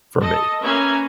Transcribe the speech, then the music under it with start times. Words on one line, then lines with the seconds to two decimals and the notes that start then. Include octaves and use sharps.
for me.
0.22 A4 D#5
0.62 A#3 C#4 B4 E5 G#5 A#5